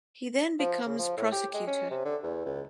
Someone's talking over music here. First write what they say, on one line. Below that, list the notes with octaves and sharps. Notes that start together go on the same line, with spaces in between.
He then becomes prosecutor.
F3
C#3
F3
A2
G4
G#3
C#4
C3
D3
E2
C#2